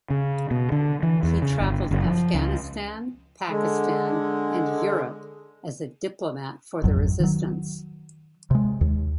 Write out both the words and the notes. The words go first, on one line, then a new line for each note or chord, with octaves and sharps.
He traveled Afghanistan, Pakistan and Europe as a diplomat for the resistance.
C#3
B2
D3
E3
E2
C#3
G1
F#1
F3
C#2
D3 G#3
G#1 F2 F#3
D#3 F#3
C3 G#3
D#2